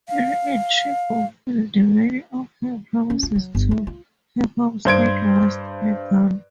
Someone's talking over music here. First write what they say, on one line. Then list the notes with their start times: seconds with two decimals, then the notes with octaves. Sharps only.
In it she fulfilled many of her promises to her home state West Bengal.
0.08 F5
3.10 C#4
3.23 F4
3.36 F#3
3.55 G1
3.71 E4
3.87 F4
4.85 G2 C5 G#6 D7